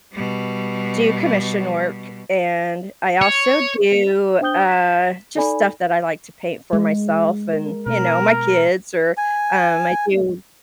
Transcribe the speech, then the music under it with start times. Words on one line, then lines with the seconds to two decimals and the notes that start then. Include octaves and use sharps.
do commission work, and I also do, uh, just stuff that I like to paint for myself and, you know, my kids, or, um, I do
0.13 B2 G3
3.21 C#5
4.41 D4 C5 G5 D#6 G6 G7
4.68 B6 E7
5.36 D#4 A4 D5 G#5 B5
6.73 G#3
7.53 A#4
7.86 B2 A#4
9.17 G#5